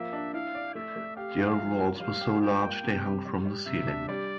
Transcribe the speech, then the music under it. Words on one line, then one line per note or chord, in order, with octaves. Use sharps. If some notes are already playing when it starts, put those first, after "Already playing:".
The overalls were so large they hung from the ceiling.
Already playing: F3 A#3 E5
D4
E4 F5
D5
A3 E5
A3
G4 F5
E4
F3
A#4
G3 F5
G4
F4 G5
A#3
C3
G4
G3
G3
C3 E5
D4
G3 D5